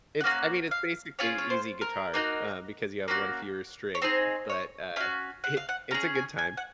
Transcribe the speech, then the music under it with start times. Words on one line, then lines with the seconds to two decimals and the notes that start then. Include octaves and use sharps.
It's I mean, it's basically easy guitar, uh, because you have one fewer string, but, uh, it it's a good time.
0.21 F#5
0.24 A#3 C#4 F#4 F5
0.71 F5
1.19 C#4 F4 G#4 C#5
1.38 C#5
1.50 C5
1.81 A#4
2.14 A#3 D#4 F#4
3.08 A#3 C#4 F#4
3.95 C#5
4.02 C4 D#4 G#4 C5
4.49 C#5
4.96 C#4 F#4 F5
5.44 F#5
5.57 F5
5.69 F#5
5.91 C#4 A#5
5.94 G#4
6.15 G#5
6.38 G#5
6.57 F#5